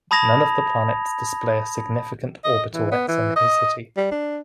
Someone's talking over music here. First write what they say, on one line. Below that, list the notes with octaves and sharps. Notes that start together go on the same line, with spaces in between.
None of the planets display a significant orbital eccentricity.
A5 B5 D#6 G#6 A#6 F7
D#5
E3
B3
E3
D#5
G3
D4